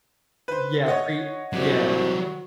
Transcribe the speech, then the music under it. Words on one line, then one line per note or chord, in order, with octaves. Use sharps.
N yeah. Pre yeah.
B4 C5
C#5 D#5 F#5
C2 F#3 F#4 G4